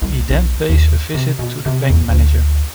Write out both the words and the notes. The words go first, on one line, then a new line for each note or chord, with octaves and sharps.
He then pays a visit to the bank manager.
C2
B1
D#2
C3
B2
C3
E2
D2